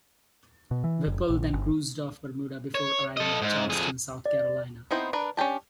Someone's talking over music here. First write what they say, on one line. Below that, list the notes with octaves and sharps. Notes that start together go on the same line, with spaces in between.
Whipple then cruised off Bermuda before arriving at Charleston, South Carolina.
B2
E3
F#1
A#1
G1
C#5
A4 D#5
G#2
F2 G#4
D5
B3 C4 D#4 E4 C5
D4 A#4 B4
C#4 D4 G4 A5